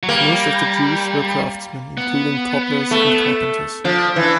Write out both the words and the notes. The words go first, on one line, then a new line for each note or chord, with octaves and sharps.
Most of the Jews were craftsmen, including cobblers and carpenters.
F#3
G3 A#3
B3
A3
F3 D4
E3
D4